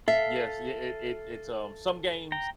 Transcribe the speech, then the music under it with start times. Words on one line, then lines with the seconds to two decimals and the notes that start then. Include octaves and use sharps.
Yes, yeah, it it it's, um some games
0.08 A4 E5 F5
2.32 G5 A#5